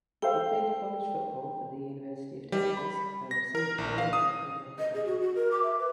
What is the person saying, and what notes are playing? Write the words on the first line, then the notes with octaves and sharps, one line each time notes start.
He played college football for the University of Texas, and received All-American recognition.
A4 C5 F5 G5
G3
B5
A#6
A#4
A#1
F5
D#6
D#5
G#4
F#4
F#4
A#4
D6
E5
B4